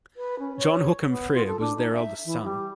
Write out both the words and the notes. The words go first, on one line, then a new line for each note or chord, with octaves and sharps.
John Hookham Frere was their eldest son.
B4
C#4
C#5
B3
F4
A4
D4
D#4
E5
E3
G3